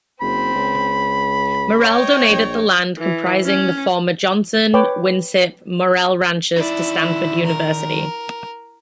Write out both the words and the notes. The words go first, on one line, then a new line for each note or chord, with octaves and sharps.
Morell donated the land comprising the former Johnson, Winship, Morell ranches to Stanford University.
F#1 C4 B5
C#2
C#5 D#5 G5
A#1
E3
C#4
B4 C#5 G5 D6
D#3 E4 D5
A#4